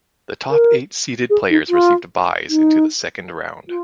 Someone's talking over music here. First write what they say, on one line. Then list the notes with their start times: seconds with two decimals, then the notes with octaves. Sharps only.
The top eight seeded players received byes into the second round.
0.50 A#4
1.30 G#4
1.50 D#4
1.69 F4
2.48 D#4
3.68 F4